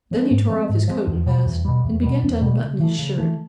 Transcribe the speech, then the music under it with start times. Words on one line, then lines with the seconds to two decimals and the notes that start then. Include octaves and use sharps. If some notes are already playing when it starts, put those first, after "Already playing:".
Then he tore off his coat and vest, and began to unbutton his shirt.
0.11 F3 G#3 C4
0.31 G#2
0.49 F3 G#3 C4
0.69 G#2
0.88 F3 G#3 C4
1.07 E2
1.26 B2 G3
1.45 E2
1.65 B2 G3
1.84 E2
2.03 B2 G3
2.22 E2
2.41 B2 G3
2.60 C#3
2.80 E3 A3
2.98 C#3
3.18 E3 A3